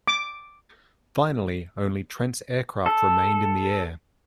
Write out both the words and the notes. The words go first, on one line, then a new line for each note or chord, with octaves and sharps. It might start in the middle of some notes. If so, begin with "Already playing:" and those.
Finally only Trent's aircraft remained in the air.
D6
A4